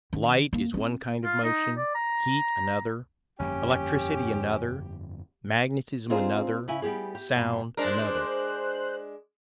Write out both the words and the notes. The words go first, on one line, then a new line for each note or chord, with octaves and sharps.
Light is one kind of motion, heat another, electricity another, magnetism another, sound another.
D#3 C#4
A#3
C4 E4
F4
D#4
D5
A#5
G1 F2 A#3 C#4 G4
C4 D4 D#4 F4 G#4 C5
C#3 E4 G#5
G3 B3 G4 G#4
G4
G2 B2
G#3 D4 A#4 C5 F#6